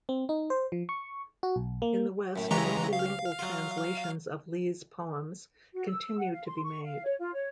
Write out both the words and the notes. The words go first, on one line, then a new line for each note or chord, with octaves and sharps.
In the West, multi-lingual translations of Li's poems continue to be made.
C4
D#4
C5
F3
C#6
F#4
B1
A#3
F#2 A2
C#2 E3 G#3 G4 C#5 A#5
F5
F#3 F4
F#4
E6
F#5
F5
C6
C#6
F5
C#5
F4
C#5